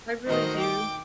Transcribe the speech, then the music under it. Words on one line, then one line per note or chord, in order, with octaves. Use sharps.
I really do.
D#3 A3 F#4 A#4 C5 D#5
G5 D6